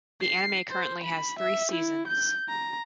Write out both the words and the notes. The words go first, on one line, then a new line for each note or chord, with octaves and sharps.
The anime currently has three seasons.
C7
C5
B5
E5
E4
G6
A#5